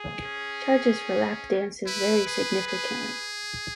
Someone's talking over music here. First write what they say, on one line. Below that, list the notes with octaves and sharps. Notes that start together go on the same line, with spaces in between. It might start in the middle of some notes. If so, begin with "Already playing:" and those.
Charges for lap dances vary significantly.
Already playing: G#4
C#4
E4 B4
G#4
G#4